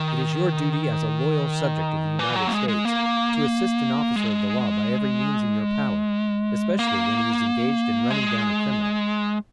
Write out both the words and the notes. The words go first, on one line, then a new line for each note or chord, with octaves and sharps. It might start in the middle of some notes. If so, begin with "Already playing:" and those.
It is your duty, as a loyal subject of the United States, to assist an officer of the law by every means in your power, especially when he is engaged in running down a criminal.
Already playing: D#3
E3
F#3
A#3
G#3
G#3
A#3
G#3
A#3
G#3